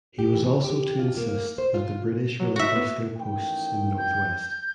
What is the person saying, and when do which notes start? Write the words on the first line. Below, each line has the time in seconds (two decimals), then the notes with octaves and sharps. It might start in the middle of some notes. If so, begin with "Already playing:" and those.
He was also to insist that the British relinquish their posts in the Northwest.
0.19 G4
0.34 E3
0.64 G4
0.99 F4
1.17 A#3
1.58 C5
1.74 F4
2.40 F#3
2.56 F#4 E5
2.75 B3
3.16 A1 D#3 G5
3.98 G6